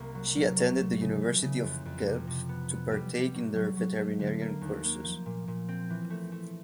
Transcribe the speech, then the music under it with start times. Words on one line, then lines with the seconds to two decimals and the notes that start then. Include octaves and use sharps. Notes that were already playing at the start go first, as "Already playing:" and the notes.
She attended the University of Guelph to partake in their veterinarian courses.
Already playing: C2 A#3
0.15 F#3
0.36 A#3
0.57 F#3
0.79 A3
1.01 C#3
1.22 E3
1.42 C#3
1.64 F2
1.85 F2
2.06 C3
2.27 C3
2.49 B3
2.71 B3
2.91 G3
3.13 G3
3.34 F#3
3.56 F#3
3.77 F#3
3.98 A3
4.19 D3
4.41 A#3
4.61 D#2
4.83 A#3
5.04 F3
5.26 A#2
5.48 A#2
5.69 C4
5.90 E3
6.10 A3
6.32 A3